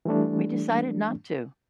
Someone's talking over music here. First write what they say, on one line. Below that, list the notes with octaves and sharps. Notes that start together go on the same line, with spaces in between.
We decided not to.
E3 G3 A3 D4